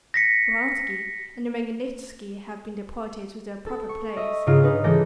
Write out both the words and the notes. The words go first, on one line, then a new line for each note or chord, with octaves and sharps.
Speranski and Magnitski have been deported to their proper place.
A#6 B6 C#7
A4
C#6
D#5 E5
G#2 C#3 C#4 D#4 F4
D#4 B4
E3 G#3 A4 D6 G6 A#6